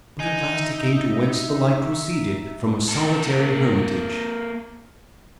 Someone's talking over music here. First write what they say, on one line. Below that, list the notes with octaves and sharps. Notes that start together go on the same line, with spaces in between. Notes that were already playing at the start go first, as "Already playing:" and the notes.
But at last he came to whence the light proceeded--from a solitary hermitage.
D#4 G#5
E5
A#3 A4